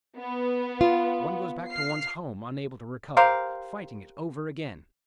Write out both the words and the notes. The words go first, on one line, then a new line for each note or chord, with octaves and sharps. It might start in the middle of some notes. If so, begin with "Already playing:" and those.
One goes back to one's home unable to recover. Fighting it over again.
B3
F4
F6 C7
G4 A#4 C5 F5